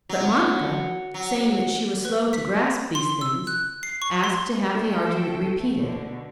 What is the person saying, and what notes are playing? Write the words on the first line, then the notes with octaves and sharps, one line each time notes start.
But Monica, saying that she was slow to grasp these things, asked to have the argument repeated.
F#3
F#3
B4
B6
C6
E6
F#6
C7
C#6
C6
F3 A3 A4 G5
B2 D3